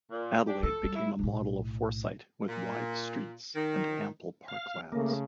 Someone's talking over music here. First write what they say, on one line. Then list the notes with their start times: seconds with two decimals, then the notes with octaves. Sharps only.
Adelaide became a model of foresight with wide streets and ample parklands.
0.11 A#2
0.47 D4 G4
0.63 F4 A4
0.83 G3 G#3
0.95 E4
1.19 B1 A2
2.48 A#2
3.55 D#3
4.48 F5
4.92 C#3 A3 A#3